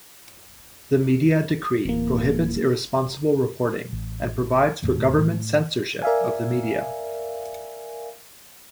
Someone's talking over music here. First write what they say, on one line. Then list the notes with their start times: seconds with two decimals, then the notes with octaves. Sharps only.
The Media Decree prohibits "irresponsible reporting" and provides for government censorship of the media.
1.85 D1 E3 A#3
3.92 A1
4.82 E1 D#2 A2
5.18 A2
6.02 A#4 D5 E5 F5 G#5